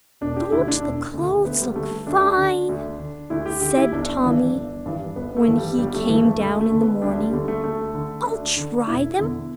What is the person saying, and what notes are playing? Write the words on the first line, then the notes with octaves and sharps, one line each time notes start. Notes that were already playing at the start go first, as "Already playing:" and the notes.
"Don't the clothes look fine?" said Tommy, when he came down in the morning; "I'll try them on."
E1 D4
G4
D2 D3 E4
D4
E1
D2 D3
D2 B3
G3
D3 A3
D2 D4
D3
D2
D3
D2 E4
G4
D3 G4
E4
G1 D4
G2 E3
G1
G2 E3
G1 B3
A3
G2 E3
G3
G1 G3
A3
G2 E3 A3
A3
D2 A3
A3
D3
B3
D2 D4
G3
D3 A3
A3
D2 A3
D3
D2 D4
D3
E1 E4
E2 D3